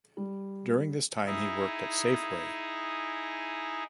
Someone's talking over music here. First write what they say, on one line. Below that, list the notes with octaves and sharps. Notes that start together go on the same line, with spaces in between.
During this time he worked at Safeway.
G3
D#4 E4 G#4